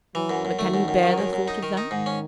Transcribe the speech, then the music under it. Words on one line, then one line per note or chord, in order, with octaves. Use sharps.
But can you bear the thought of that?'
E3 F#3
F#2
F#2
D#3 A3
F#2
F#2
D#3 F#3
F#2
F#2
D#4
D#3
D#4
G#2 D#3
C#4